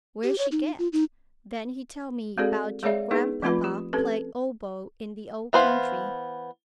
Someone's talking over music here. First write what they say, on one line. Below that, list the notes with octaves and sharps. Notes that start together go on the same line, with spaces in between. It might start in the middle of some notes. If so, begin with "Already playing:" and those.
Where she get?' Then he tell me 'bout your gran'papa play oboe in the old country.
G4
C#5
D#4
F4
D#4
G#3 C4 F#4 G#4 A4 D5
G#3 G#4 C#5 D5 E5 F5
B3 D#4 E4 G#4 B4
F3 A3 C4 F4 B4 B5
G4
C4 C#4 G4 A4 B4
E3 B3 C5 F5